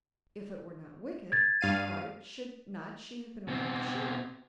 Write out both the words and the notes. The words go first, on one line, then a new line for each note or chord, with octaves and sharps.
If it were not wicked, why should not she have been allowed to share it?
G#6 A6
G2 F5 D#7
B2 C4